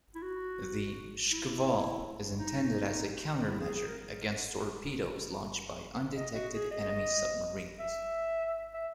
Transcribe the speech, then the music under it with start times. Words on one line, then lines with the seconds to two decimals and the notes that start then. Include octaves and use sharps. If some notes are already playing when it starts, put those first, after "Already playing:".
The "Shkval" is intended as a countermeasure against torpedoes launched by undetected enemy submarines.
0.15 E4
0.22 F#4
1.32 E4
2.39 D#4
3.47 E4
3.60 G#4
3.74 G#4
3.88 A#4
6.17 D#5
6.35 F#4
6.54 G#4
6.71 D#5
7.80 E5
8.74 E5